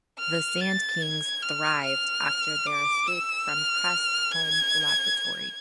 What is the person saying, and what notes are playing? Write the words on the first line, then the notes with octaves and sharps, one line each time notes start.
The Sandkings thrived after their escape from Kress' home laboratory.
F6
A6
G#6
F6
F6
D6
E6
F6
G#6